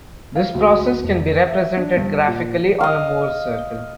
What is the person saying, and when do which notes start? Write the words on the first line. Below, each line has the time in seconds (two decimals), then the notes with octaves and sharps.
This process can be represented graphically on a Mohr's circle.
0.36 F5
0.55 D2
1.04 F1
1.47 E5
1.77 D4
1.97 G2
2.28 A#2
2.81 D#5 F5